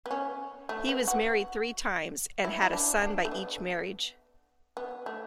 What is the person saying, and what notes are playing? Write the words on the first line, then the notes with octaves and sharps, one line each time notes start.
He was married three times and had a son by each marriage.
B3
C#4
A3
B3
F#4
E4
E4
D4
D4
A3
B3
B3
A3